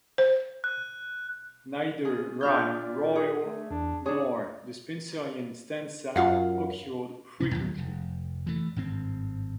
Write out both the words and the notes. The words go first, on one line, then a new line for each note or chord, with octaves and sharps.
Neither rhyme royal nor the Spenserian stanza occurred frequently.
C5
F#6
G#4
A#2 D4 F6 G6
G#4
A3
E2 D4
G#2 D4 G#4 C#5
F#2 F4 F5 F#5
D#1 C3 C#4
D2 A2 F#3 G3
F1
E3 A3
G#1 G2 C4